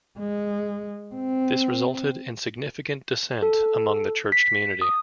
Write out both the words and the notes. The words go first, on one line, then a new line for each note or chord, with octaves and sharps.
This resulted in significant dissent among the church community.
G#3
C4
A4
B6
D#6